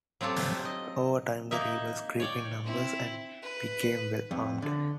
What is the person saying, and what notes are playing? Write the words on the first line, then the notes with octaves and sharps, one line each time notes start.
Over time the rebels grew in numbers and became well armed.
F#3 C4 F4 G4 A4
D#5
A#3 D#4 E5
C#5 D5 G5
C4 E4
B4
F2
D3